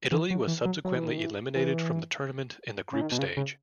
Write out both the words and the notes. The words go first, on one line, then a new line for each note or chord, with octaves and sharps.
Italy were subsequently eliminated from the tournament in the group stage.
E3
F#3
E3
F#3
F#3
E3
D#3
E3
E3
C#3
D#3
B2
C#3
C#3